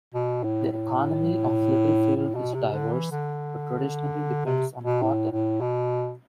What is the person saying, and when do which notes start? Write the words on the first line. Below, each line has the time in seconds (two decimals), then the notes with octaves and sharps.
The economy of Littlefield is diverse but traditionally depends on cotton.
0.15 B2
0.44 A2
0.72 A2
2.16 A2
2.35 B2
2.54 C3
2.73 D3
2.93 E3
3.11 D3
4.46 C3
4.84 B2
5.03 A2
5.32 A2
5.61 B2